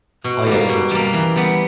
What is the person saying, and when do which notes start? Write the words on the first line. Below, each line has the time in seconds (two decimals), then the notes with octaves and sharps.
oh, yeah, there's no chat.
0.24 B2
0.46 G3 A#3
0.69 B2
0.91 G3 A#3
1.13 E3
1.36 G3 B3